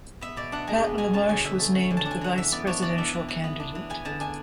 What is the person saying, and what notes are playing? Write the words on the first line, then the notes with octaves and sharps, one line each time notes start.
Pat LaMarche was named the Vice-Presidential candidate.
B3 E5
B2 D5
D4 F#5
G#3 G#5
B3
B2 G#5
C#4 A5
D3 G#5
D3 E5
A3
C#4
D3
A5
D4
G#5
E3 F#5
E3 E5
B3 D5
D4 C#5
E3 D5
D4 E5
E3
E3
B3
D4
E3
B3 G#5
D3 A5
D4 G#5